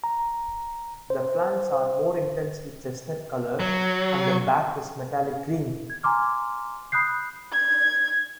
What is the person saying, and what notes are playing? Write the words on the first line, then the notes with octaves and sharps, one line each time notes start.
The flanks are more intensely chestnut colored and the back is metallic green.
A#5
C5
C5
F#3
G#6
G#5 A#5 C6 D6 F6
B5 D#6 F#6 G6 C7
G#6